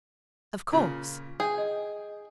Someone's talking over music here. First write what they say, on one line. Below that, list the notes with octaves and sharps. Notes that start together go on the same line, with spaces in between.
"Of course!"
A#2 C#3 F4
G#4 E5 G5 G#5
D#5